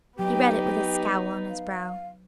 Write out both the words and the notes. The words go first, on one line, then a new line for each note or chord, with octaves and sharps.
He read it with a scowl on his brow.
F#3 B3 D#4 G4 G5
F5